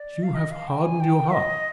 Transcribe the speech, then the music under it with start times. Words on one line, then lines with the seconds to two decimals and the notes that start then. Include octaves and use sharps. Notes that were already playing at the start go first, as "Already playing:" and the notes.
You have hardened your hearts.
Already playing: D5
0.23 F5
0.35 D#5
0.51 F5
0.68 G5
0.84 G#5
1.00 G5
1.33 D#5